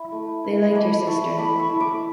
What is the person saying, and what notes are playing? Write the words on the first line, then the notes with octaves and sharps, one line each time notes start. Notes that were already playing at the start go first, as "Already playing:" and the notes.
They liked your sister.
Already playing: E4
A3
E4
A3 B5 D6
E4 A5 C#6
A3 B5 D6
C#6 E6
E4
B5 D6